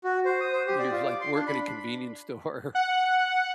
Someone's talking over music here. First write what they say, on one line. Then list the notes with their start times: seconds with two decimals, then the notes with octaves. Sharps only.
you, like, work in a convenience store,
0.04 F#4
0.25 C5
0.41 D#6
0.53 C5
0.67 G4
0.79 D5
0.92 F4
1.05 D6
1.21 C6
1.35 D4
1.47 B5
2.75 F#5